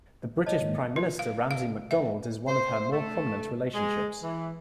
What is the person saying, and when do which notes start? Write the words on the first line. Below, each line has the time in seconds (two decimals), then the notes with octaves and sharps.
The British Prime Minister Ramsay MacDonald is one of her more prominent relationships.
0.46 C#5 D#5 A5
0.61 G#2 D#3 A#3
0.96 F4
1.19 F5
1.51 F5
1.91 E5
2.48 C5
2.91 A3
3.74 G#3
4.23 E3